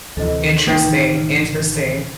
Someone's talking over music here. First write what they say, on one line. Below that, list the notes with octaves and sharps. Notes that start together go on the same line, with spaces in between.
Interesting, interesting.
D2 C3 E3 A4 D#5
C2 C3 A#3 D#4 G5
A1 D#3 E3
C#3